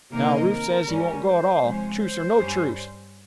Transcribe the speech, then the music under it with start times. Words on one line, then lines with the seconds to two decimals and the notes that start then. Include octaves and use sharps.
Now Rufe says he won't go at all--truce or no truce.
0.12 C3 D#3 A#3 D#4 A#4
0.49 A#4
0.86 G#2 G3 C#4
1.23 C5
1.60 C3 F3 G#3 C#4
1.97 C5
2.35 G2 G3 C#4